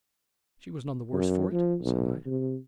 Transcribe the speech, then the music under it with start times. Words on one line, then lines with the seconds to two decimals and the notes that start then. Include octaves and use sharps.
"She was none the worse for it," said I.
1.13 F#2
1.52 F3
1.81 B1
2.26 C3